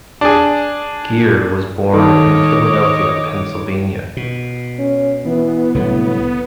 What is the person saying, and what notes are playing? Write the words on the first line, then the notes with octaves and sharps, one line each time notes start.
Gere was born in Philadelphia, Pennsylvania.
D4 G#4
D#2 D#3 A4 C#5 D#5 D6
B2
C#4
E3 B3
C2 A2 D3 F#3